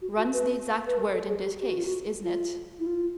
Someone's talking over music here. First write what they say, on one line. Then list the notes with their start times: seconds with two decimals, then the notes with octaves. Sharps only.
Run's the exact word in this case, isn't it?
0.01 F#4
0.18 F#4
0.33 B4
0.87 B4
0.97 A#4
1.13 A4
1.29 G#4
1.45 G4
1.60 G4
1.68 F#4
1.77 F4
1.86 F#4
2.24 F4
2.79 E4
2.86 F4